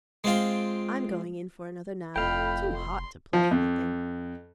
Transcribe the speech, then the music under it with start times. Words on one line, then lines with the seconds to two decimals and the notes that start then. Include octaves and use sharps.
I'm going in for another nap: too hot to play anything.'
0.24 G#3 C4 F4 G5
2.16 F1 F2 A2 F5 G5 B5
2.74 C6
3.33 F3
3.51 F2